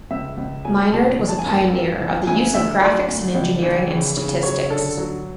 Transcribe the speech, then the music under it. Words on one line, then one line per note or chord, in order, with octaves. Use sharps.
Minard was a pioneer of the use of graphics in engineering and statistics.
C#2 E5
C#2
F#3 G#5
B2 A5
E3
A5
G#5
F#2 A5
F#2
E3
D2 G#5
D2 E5
F#3 D5
D2
C#2
E3
C#3
C#3
F#3 C#5
D3 A4
F#3